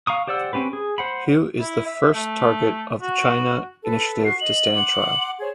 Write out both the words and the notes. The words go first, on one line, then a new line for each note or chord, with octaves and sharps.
Hu is the first target of the China Initiative to stand trial.
F5 A#5 C#6 D#6
G4 C5 D5 F#5 E6
C4 C#4 G4 B4
G#4
C5 F#5 B5
E4
E5
A3
F#4
A4 B4
F#4 C#6 C7
D#5 F#7
F#5 C6 D6
G#4 C5 C#5